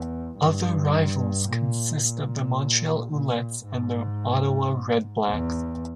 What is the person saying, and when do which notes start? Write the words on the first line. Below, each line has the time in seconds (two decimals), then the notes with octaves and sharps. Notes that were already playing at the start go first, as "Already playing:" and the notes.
Other rivals consist of the Montreal Alouettes and the Ottawa Redblacks.
Already playing: E2
0.39 G2
1.48 A#2
2.03 A#2
3.12 A#2
3.66 G#2
5.30 E2